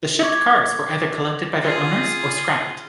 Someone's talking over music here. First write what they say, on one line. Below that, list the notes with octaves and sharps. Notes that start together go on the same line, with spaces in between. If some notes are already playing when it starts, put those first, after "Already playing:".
The shipped cars were either collected by their owners or scrapped.
C#6 D6 G#6
F4 G#4